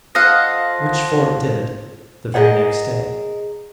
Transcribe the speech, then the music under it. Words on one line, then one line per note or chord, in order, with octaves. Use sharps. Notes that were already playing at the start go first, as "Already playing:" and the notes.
Which Fort did, the very next day.
F3 A4 D#5 F5 F#5 A#6
G#4 A#4 D#5 F#5